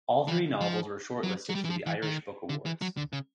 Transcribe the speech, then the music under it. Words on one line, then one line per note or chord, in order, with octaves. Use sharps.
All three novels were shortlisted for the Irish Book Awards.
E3
F3
F#3
F#3
G3
E3
F3
E3
D#3
D3
E3
F#3
D3
C#3